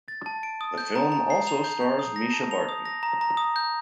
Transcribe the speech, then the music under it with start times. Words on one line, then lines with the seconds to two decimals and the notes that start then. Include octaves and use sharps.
The film also stars Mischa Barton.
0.08 A6
0.26 A5
0.43 D7
0.61 D#6
0.78 G6
0.95 A#5
1.12 A#5
1.30 C7
1.47 F7
1.64 G6
1.81 G6
1.99 D#6
2.16 A#6
2.33 A5
2.51 F7
2.69 D#6
2.85 A#6
3.03 A#5
3.21 A#5
3.37 D#6
3.56 G6